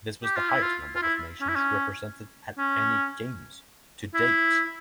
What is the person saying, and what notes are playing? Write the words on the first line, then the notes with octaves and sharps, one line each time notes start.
This was the highest number of nations represented at any Games to date.
G4
F4
E4
F4
F4
E4
C#4
E4
C#4
C#4
E4